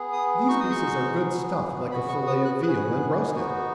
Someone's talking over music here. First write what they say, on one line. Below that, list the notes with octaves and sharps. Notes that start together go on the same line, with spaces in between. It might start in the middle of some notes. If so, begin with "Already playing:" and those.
These pieces are good stuffed like a fillet of veal, and roasted.
Already playing: B3 G#4
D#6
G#3 D#4 F#4 C#6
D#6
C#6
B3 G#4
B3 F#4 B5
C#6
D#6
F#6
B3 G#4 F#6
B3 D#4 F#4